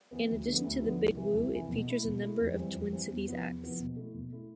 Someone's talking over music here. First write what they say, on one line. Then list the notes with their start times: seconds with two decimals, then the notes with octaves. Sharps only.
In addition to the Big Wu it features a number of Twin Cities acts.
0.11 E3 B3
0.28 D2
0.46 D3 F3 B3
0.64 D2
0.80 D3 F3 B3
0.99 C2
1.16 C3 E3
1.33 C2
1.51 C3 E3
1.69 B2
1.87 A3 E4
2.04 B2
2.22 A3 E4
2.39 F2
2.57 E3 G3 C4
2.73 F2
2.92 E3 G3 C4
3.09 E2
3.26 C3 F3 B3 E4
3.44 E2
3.62 C3 F3 B3 E4
3.80 B2
3.96 A3 E4
4.14 B2
4.32 A3 E4